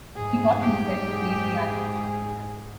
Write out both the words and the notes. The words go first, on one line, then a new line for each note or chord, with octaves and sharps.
He taught himself to play piano.
G#2 G#4
G4
G#4